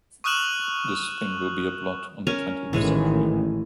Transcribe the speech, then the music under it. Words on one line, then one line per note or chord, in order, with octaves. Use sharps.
This thing will be a blot on the Twentieth Century!
C#6 D#6 F6 F#6 E7 F#7
C#4 A#4 C#5
A1 D#3 E3 G#3 C#5